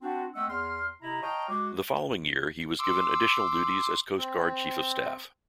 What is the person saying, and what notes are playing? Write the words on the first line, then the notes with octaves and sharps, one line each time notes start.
The following year, he was given addition duties as Coast Guard Chief of Staff.
C4 D4 F#4
A3 C4 D#5 F#5 E6
E2 C6 F6
C3 E4 D#5 A#5
C#5 D#5 F5 G5 A5 A#5
G#3 F#4 D6
C6 D6 E6
C4